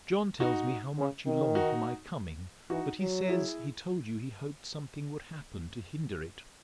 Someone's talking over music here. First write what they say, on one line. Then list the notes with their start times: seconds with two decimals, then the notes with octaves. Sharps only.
John tells me how much you long for my coming; but he says, he told you he hoped something would happen to hinder it.
0.40 D#4 F#4
0.98 C#3
1.27 D#3
1.55 D#4 F#4
2.70 E3 D#4 F#4
3.00 F#3
3.28 E4 G#4